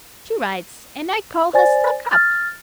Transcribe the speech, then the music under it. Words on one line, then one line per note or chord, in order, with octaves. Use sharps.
"She writes; and I call her stuck up."
C5 D5 G#5 A6
F6 A6